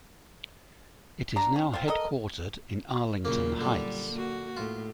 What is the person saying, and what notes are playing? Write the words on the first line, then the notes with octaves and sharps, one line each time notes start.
It is now headquartered in Arlington Heights.
D4 A#5
C#4
C4 F4
A4 A#4 D#5
F#2 A#2 C#3 A#3
D3 G3
A#3 F#4
A2 F4